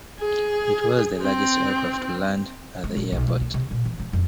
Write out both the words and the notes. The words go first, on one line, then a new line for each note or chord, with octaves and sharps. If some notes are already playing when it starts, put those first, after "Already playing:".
It was the largest aircraft to land at the airport.
G#4
C4
G#3
A#1
B1
B2
A#3
C3
A#2
E3
F3
F2